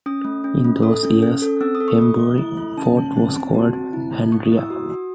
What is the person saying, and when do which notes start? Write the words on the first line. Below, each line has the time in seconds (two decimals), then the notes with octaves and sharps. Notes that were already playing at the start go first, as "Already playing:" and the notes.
In those years Hembury Fort was called Handria.
0.06 C#4 D#6
0.25 A3
0.44 C#4
0.64 A3
0.83 A4 D#6
1.03 C#4
1.23 C#4
1.42 A4
1.61 C4 E6
1.75 D#6
1.81 A4
1.88 C#6
2.00 A3 D#6
2.19 A3
2.38 E4
2.57 A3
2.77 C#4 A5
2.97 C#4
3.16 C4
3.35 C4
3.55 F#4 A5
3.74 C4
3.93 E4
4.12 A3
4.32 A3 C#6
4.45 D#6
4.52 E4
4.58 E6
4.70 F#4 D#6
4.90 F#4